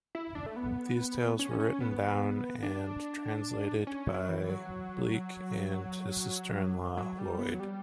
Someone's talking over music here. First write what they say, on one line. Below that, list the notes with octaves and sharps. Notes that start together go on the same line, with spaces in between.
These tales were written down and translated by Bleek and his sister-in-law Lloyd.
E4
D4
A3
B3
C#4
C#4
B3
D4
C#4
F#3
E3
F#3
F#3
G3
B3
F#3
G3